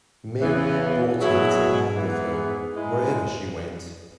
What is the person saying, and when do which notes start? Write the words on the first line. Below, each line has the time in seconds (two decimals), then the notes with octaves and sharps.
Mary brought her little lamb with her, wherever she went.
0.39 E2 C#3 E3 B3
1.17 B2 F#3 E4 G#4 C#5
1.94 G#2 E3 B3 E4 G#4
2.72 G#2 G#3 E4